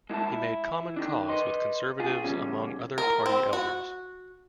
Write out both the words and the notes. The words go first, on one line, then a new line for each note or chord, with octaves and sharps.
He made common cause with conservatives among other Party elders.
G#3 E4 E5 A5
E4
D#3 D4
B4 D#5 C6
F4 G#4
E2 C#3 G3 C#4
A#4
C4
F#4